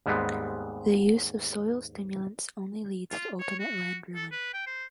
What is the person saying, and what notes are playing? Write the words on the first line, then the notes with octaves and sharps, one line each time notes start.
The use of soil stimulants only leads to ultimate land ruin.
D#2 G#2 G3 G#3 B3 C4
F4
C#5
F#4
A4
B4
G5
C5